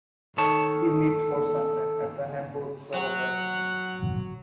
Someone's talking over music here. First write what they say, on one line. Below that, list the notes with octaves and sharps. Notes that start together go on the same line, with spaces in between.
He lived for some time at the Hamburg cell apartment.
D#3 A4 C#5 A5
F#3 F#5